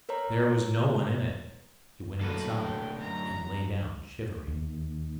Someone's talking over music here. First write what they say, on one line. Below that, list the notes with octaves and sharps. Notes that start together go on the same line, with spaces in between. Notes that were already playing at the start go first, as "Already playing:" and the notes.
There was no one in it; he went inside, and lay down shivering.
A#4 B4 C#5 A#5
B1 A2 D3 F#3 A#3 A4 B4
G5
F#2 A#5
D#2